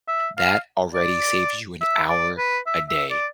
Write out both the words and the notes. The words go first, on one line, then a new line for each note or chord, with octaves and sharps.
that already saves you an hour a day
E5
F5
D5
E5
D5
B4
E5
E5
D5